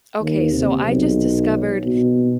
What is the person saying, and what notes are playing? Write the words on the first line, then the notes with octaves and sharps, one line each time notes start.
Okay, so I just discovered
D#2
C3
B1
B2